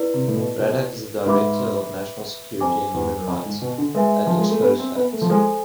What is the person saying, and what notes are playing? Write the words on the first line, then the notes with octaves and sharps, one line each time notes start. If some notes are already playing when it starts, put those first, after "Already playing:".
Radack is the director of National Security and Human Rights at Expose Facts.
Already playing: E4 B4 D5
C3
A2
B2
B2
G#2 B4 E5 B5 D6
F2 C5 G#5 D6
E2
F2
G#2
B2
D3
G#3 B4 E5 G#5
F3
G#3
A3
B3
C4
B3
A3
F3
G#3 A4 C5 G#5